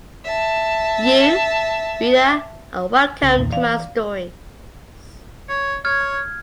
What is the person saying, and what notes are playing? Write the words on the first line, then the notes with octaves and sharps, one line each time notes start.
You, reader, are welcome to my stories.
E5 A5
C2 C#3
E2 A#2 D#3
E3 D5 F5
C#5
C#5 F6 G#6